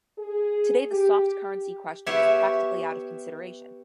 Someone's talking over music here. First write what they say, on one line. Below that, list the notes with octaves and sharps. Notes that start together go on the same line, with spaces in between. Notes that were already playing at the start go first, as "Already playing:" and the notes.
Today the soft currency question is practically out of consideration.
G#4
G4
B3 G4 C5 C#5 E5